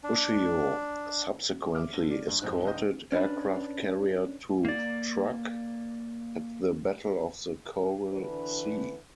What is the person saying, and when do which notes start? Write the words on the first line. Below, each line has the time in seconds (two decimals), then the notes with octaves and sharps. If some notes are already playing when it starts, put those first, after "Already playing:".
"Ushio" subsequently escorted aircraft carrier to Truk, at the Battle of the Coral Sea.
0.04 D4
1.75 E5 D6 F6
1.93 D3 A#6 D#7
2.11 D5
2.27 G2
2.41 F2 G#2 C4 D#4 F#6
2.64 G#1 C#2 D4 D#5 G6
3.12 C#4 D4 B4
4.65 A#3 D5
8.12 D3 E3 D4 B4